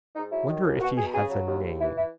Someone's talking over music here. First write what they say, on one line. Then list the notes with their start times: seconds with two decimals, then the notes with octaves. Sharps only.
Wonder if he has a name.
0.15 G#2 D#4
0.31 F#3 E4
0.49 D#3
0.64 D#2
0.81 B2 F#4
0.97 B2 G#4
1.13 C#3 G#4
1.30 F#3
1.46 D#2
1.63 D#2
1.79 E3 E4
1.96 E4